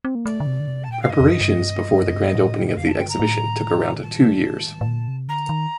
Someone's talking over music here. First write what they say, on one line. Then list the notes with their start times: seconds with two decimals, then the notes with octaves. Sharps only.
Preparations before the grand opening of the exhibition took around two years.
0.05 C4
0.15 A#3
0.25 A3 D5
0.40 D3
0.47 C3
0.60 D3
0.68 C3
0.84 A5
0.88 A#2 G5
1.01 F5
1.09 G2 D#5
1.21 F2
1.31 G2
1.41 G2
1.93 G2
2.08 F2
2.14 G2
2.35 A2
2.67 D#5
2.77 F2 F5
2.88 A5
2.98 G2 G5
3.09 A#5
3.19 A2
3.95 A#2
4.03 A2 A5
4.81 A2
4.87 A#2
5.08 C3
5.28 D3 A#5
5.49 D#3